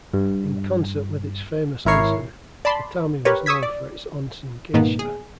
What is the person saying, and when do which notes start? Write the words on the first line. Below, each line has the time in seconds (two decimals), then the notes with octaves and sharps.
In concert with its famous onsen, Atami was known for its onsen geisha.
0.14 G2
1.85 G#1 E4 A#4 C#5 C7
2.65 D5 A5 B5 C6
3.25 G4 A#4 B4 C#5
3.46 C#6 D#6 E6 G#6 B6
3.63 D5
4.74 G#2 B2 D#3 A#3 B3
4.99 G#4